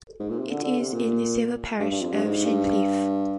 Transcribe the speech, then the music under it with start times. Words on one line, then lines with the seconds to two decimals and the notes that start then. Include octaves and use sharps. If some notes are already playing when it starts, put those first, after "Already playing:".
It is in the civil parish of Shincliffe.
0.20 G#2
0.30 A#2
0.39 C3
0.51 D3
0.64 D3
0.78 C3
0.93 A#2
1.80 G2
1.91 G2
2.01 F2
2.13 G2
2.24 G#2
2.45 G2